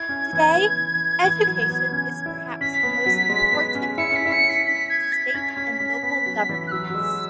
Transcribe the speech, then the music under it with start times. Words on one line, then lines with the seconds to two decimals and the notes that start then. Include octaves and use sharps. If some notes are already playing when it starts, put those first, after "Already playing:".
Today, education is perhaps the most important function of state and local governments.
Already playing: E4 G#6
0.09 C#4
0.33 E3
0.55 E3
1.24 E3
1.47 F#3
1.69 B3
1.92 C#4
2.26 E4
2.61 C#4 B6
2.83 B3
3.06 F#3
3.29 G#3
3.52 B3
3.75 C#4
3.97 E4 C#7
4.12 C#4 B6
4.26 E4
4.32 C#7
4.49 B6
4.67 B6
4.89 G#6
5.01 G#6
5.12 B6
5.28 G#6
5.34 C#4 B6
5.57 C#4
5.80 C#4
6.03 B3
6.26 F#3
6.49 E3
6.67 F#6
6.71 F#3 E6
6.90 F#3
6.94 G#3